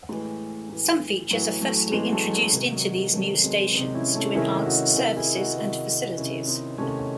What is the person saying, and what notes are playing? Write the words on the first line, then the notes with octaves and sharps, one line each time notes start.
Some features are firstly introduced into these new stations to enhance services and facilities.
A2 E3 G#3
A2 E3
A2 E3 F#3
F#3 A3
A2 E3 G#3 C4
F#3 A3
G#3
F#3
C3 D#3 G#3
F#3
F#3
G#3
C3 D#3 F#3 A3
G#3 C4
D#3 C4 D#4
C3
D#4
C#4 E4
A3 C#4
C3 D#3 E4 G#4
D#4 F#4
C3 D#3 E4 G#4
E4 G#4
D#4 F#4
C3 D#3
C3 D#3 C#4 E4
C4 D#4
C3 D#3 A3 C#4